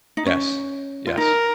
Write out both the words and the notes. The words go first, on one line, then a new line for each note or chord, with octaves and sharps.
Yes, yes.
D#4
C#4
F4
D#4 A#4